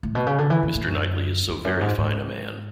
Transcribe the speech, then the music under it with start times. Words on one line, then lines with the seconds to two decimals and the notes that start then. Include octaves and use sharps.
Mr Knightley is so very fine a man!
0.03 A2
0.15 B2
0.26 C#3
0.38 D3
0.50 E3
0.63 A2
0.75 A2
0.87 F#2
1.49 E2
1.65 F#2
1.81 G#2
1.98 G#2